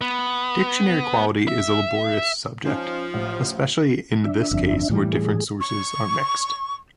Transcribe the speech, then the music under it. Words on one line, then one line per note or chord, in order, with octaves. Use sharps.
Dictionary quality is a laborious subject, especially in this case where different sources are mixed.
B3
E5
F3 C#4 D#4
A1
D4 E5
G1 F2
A2 E3 G3
G#4
C#6